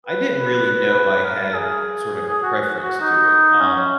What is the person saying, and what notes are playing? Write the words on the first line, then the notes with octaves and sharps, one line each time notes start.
I didn't really know I had sort of a preference to it. Um,
B4
B4
A#4
G#4
F#4
F#4
D#4
C#4